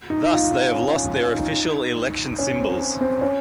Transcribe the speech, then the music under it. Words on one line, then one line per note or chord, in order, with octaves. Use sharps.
Thus they have lost their official election symbols.
D#4
D#4
F4
D#4
C#4
C#4
F4
D#4
C#4
C4
C#4
C4
C#4